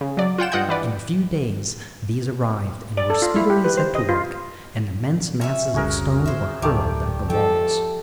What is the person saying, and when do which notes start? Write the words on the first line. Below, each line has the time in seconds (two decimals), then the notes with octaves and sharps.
In a few days these arrived and were speedily set to work, and immense masses of stone were hurled at the walls.
0.01 C#3
0.17 F#3 D5
0.38 F4 F#5 G5 E7
0.52 G2 F4 D#5 F#5 G5 G6
0.68 E3 B4 D5
2.97 D5
3.10 A4
3.22 F4
3.36 E4
3.50 G4
3.65 B4
3.77 C5
3.95 D#5
4.09 F4
5.41 C#4 E5
5.74 F1 C2 C#3 F#4 G#4 A#4
6.26 C5 E5
6.62 D1 D#3 A3 G4 D5
7.30 F3 A4 G5